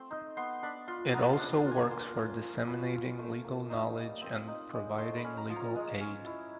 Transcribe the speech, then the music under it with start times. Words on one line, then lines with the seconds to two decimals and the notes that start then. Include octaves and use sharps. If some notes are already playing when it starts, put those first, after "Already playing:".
It also works for disseminating legal knowledge and providing legal aid.
Already playing: A3 C4 C6
0.11 D#4
0.37 B3 C6
0.63 D4 B5
0.88 F4 C6
1.14 B3 A#5
1.33 C6
1.39 D4
1.52 A#5
1.66 F4
1.71 G#5
1.91 A#3 C6
2.17 C#4
2.42 F3
2.67 C#4 B5
2.93 F4
3.19 A3
3.44 A#3
3.70 D#4
3.97 G3
4.22 C4
4.47 D#4
4.73 G#3
4.98 A3 C6
5.17 B5
5.25 C#4
5.37 A#5
5.50 F3
5.56 A#5
5.76 G#3
6.01 C#4
6.26 E4